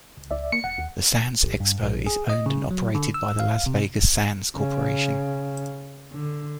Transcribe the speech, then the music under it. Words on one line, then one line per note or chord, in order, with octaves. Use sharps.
The Sands Expo is owned and operated by the Las Vegas Sands Corporation.
C#2
C#2 D5 E5
A#3 C#7
E1 F#5
D#2
A1
G2
A#1
G#4
D#5
C#3
F#3
D3
E6
F5
C3
C#3
D3